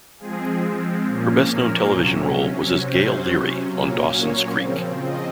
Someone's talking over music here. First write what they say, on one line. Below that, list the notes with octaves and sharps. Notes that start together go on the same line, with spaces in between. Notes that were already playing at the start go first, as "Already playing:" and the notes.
Her best known television role was as Gail Leery on "Dawson's Creek".
F3 G#3 C4 G#4
A#2 F3 A#3 C#4
A#4
C3 F#3 C#4
C3 F#3 C#4 C5
A#2 F#3 A#3 C#4
C#5
C#3 F3 C4
D#5